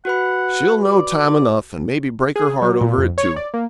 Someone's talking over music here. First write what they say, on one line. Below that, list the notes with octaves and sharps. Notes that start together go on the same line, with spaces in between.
'She'll know time enough, and maybe break her heart over it, too.
F#4 B4 F#5 B5
D5
G#4
F#3
A#2
F2
C#5
D5
A#3